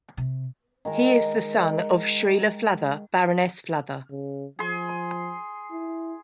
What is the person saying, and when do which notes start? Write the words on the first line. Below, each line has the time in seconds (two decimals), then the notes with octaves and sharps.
He is the son of Shreela Flather, Baroness Flather.
0.17 C3
0.85 D#3 G#3 A#4
4.10 C#3
4.59 F3 G#4 C6
5.71 E4